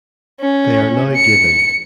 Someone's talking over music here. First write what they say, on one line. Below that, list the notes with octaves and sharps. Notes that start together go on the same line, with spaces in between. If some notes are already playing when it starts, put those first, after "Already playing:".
They are now given.
C#4
C#7